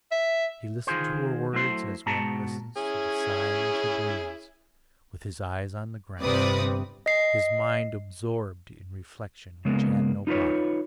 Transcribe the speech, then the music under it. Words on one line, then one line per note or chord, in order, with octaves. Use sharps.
He listened to her words as one listens to the sighing of the breeze, with his eyes on the ground, his mind absorbed in reflection which had no bottom.
E5
D#3 F4 G#4 C5
F#3 A3 E4 C5
G#2 B2 F#4 A5 A#5
C#4 E4 G#4
G1 C3 C4 B4 D5 D#6
D#5 C7
C#3 G#3 A#3 B3
D#4 F4 A#4 B4 C#5